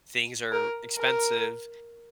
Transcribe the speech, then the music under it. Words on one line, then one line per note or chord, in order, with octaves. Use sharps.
things are expensive,
A#4
A#4